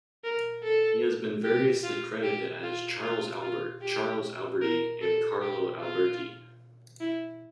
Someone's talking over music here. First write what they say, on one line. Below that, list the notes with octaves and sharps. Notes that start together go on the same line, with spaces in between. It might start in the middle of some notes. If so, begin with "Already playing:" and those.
He has been variously credited as "Charles Albert", "Charles Alberty" and "Carlo Alberti".
A#4
A4
G4
F4
G4
F4
F4
F4
G4
A#4
A4
G4
F4
E4